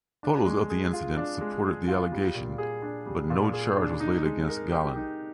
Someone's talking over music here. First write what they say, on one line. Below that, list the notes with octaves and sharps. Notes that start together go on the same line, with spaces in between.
Photos of the incident supported the allegation, but no charge was laid against Gallen.
D4
G#3
G#4
F4
D4
G#3
G#4
F4
G3
A#2
G#4
D4
G3
A#2
G#4
D4
D#4
G#3
A#4
G4
D#4